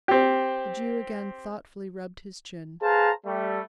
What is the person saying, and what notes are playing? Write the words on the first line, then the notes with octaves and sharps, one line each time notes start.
The Jew again thoughtfully rubbed his chin.
C4 G4
G#4 B4 C5 F5 A5 A#5
G3 A3